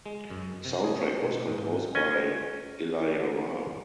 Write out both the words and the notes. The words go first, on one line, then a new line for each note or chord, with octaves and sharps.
Soundtrack was composed by Ilayaraja.
G#3
F#2
C3
G#4
C#5
B2
G#2
C#4 D#5 G#5